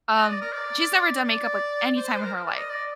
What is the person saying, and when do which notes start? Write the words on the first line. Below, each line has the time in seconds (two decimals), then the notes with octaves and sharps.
um, she's never done makeup like any time in her life.
0.17 D#5
0.29 D5
0.41 A#4
0.52 D5
1.25 D5
1.97 C5
2.09 C5
2.22 A#4
2.46 D5
2.57 D#5
2.70 D5